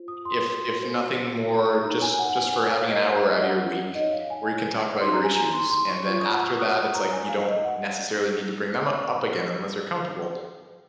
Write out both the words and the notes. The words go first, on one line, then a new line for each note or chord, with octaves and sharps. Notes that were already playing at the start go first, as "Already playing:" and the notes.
If if nothing more, just just for having an hour outta your week, where you can talk about your issues and then after that, it's like you don't necessarily need to bring them u up again unless you're comfortable.
Already playing: F4 C5
D#6
C6
F#4 C5
D#4 A#4 C#5 A#5
G#5
F#5
F#5
G#5
G#5
F5
F#4 A#4 C#5 D#5
F5
D#5
F#5
D#4 G#4 C#5 D#5
F5
G#5
D#4 G#4 C5 C6
A#5
G#5
A#5
C6
C6
C#6
F4 C5 C#6
D#6
F#5
C#6
D#6
C#6
A#5
F#4 C5 G#5
F5
D#5
F#5